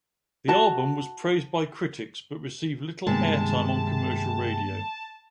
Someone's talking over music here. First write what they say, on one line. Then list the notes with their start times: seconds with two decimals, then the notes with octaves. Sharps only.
The album was praised by critics but received little airtime on commercial radio.
0.48 F#4 A5
3.07 G2 C3 D#3 G3 G#3 A#3 B3 A5